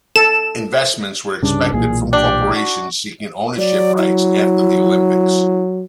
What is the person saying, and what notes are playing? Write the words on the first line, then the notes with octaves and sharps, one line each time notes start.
Investments were expected from corporations seeking ownership rights after the Olympics.
A4 E7
C2 G2 C#3 D4
B1 A#2 E3 G#4
D4 G4
F#4
F#3 D5
E4